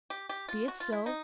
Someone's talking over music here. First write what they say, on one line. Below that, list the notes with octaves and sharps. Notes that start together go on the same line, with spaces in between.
Be it so.
G4
G4
F4
F#4
F4
E4
D#4